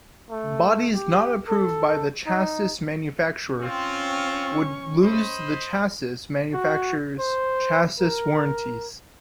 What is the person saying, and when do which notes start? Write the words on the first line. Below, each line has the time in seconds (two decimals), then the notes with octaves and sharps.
Bodies not approved by the chassis manufacturer would lose the chassis manufacturer's chassis warranties.
0.30 A3
0.94 G4
1.48 A4
2.27 D#4
3.61 C4 C#4 F4 C#6
5.02 C5 D#5 B5
6.54 F#4
7.19 C5
8.00 A#4